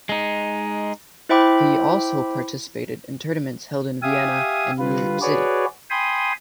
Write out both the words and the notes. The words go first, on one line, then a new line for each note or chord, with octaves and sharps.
He also participated in tournaments held in Vienna and New York City.
G#3 D#4
E4 C5 E5 G5 B5 D6
G4 E5 F5 G#5 D#6
D3 G3 F4 B4
F#4 G#4 B4 C#5 D5
G5 G#5 B5 C6 D#6